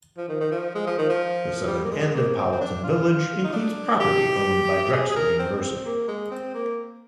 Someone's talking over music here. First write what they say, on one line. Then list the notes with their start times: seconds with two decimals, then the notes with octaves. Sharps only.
The southern end of Powelton Village includes property owned by Drexel University.
0.17 F3
0.28 D#3
0.41 D#3
0.51 F3
0.75 G#3
0.87 F3
0.98 D#3
1.09 F3
1.67 G3
1.85 A#3
1.91 G#3
2.14 A#3
2.37 C4
2.52 C4
2.61 D4
2.84 F4
3.44 D#4
3.53 D4
4.00 G4
4.92 G#4
5.11 G#4
5.16 A#4
5.39 C4
5.61 C4
5.85 A#3
6.08 G#3
6.31 C4
6.55 A#3